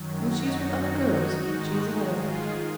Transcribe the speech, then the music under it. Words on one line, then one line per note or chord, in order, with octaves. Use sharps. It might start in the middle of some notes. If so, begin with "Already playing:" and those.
When she is with other girls she is another thing.
Already playing: F#2 D#3 F#3
D#4 F#4
G#2 D#3 G#3
F4 G#4